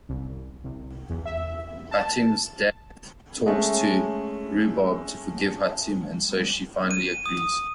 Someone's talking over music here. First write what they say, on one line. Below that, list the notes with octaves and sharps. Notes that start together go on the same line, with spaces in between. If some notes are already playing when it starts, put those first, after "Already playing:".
Hatim’s dad talks to Rubab to forgive Hatim and so she finally agrees.
C2
C2
E2
E5
A5
G#3 A3 C#4
D#7
D#6